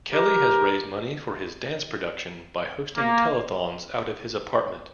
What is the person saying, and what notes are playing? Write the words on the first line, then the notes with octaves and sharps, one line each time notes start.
Kelly has raised money for dance production by hosting telethons out of his apartment.
G4 A#4
A#3